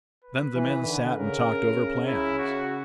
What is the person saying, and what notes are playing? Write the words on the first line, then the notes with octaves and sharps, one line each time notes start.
Then the men sat and talked over plans.
B4
E3
D3
C#3 A#4
E4
F#4